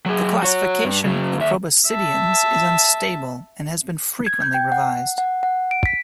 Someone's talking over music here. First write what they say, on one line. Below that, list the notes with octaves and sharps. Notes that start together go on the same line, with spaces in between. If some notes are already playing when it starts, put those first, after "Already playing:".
The classification of proboscideans is unstable and has been frequently revised.
F#3 G#4
F#4 C#5
G2
C#3 F#3
D#2 E5
E5 A5
G#6
G6
G5
F#5
F#5
F#5
D7
B6